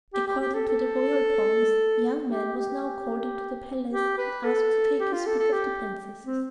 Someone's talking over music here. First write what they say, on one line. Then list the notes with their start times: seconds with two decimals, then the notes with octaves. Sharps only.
According to the royal promise, the young man was now called into the palace and asked to take his pick of the princesses.
0.14 G4
0.27 G4
0.41 G4
0.54 A4
0.68 A4
2.29 G4
2.57 G4
3.91 G4
4.18 B4
4.45 A4
4.99 G4
5.12 F4
5.26 A4
5.39 A4
5.52 G4
6.24 C4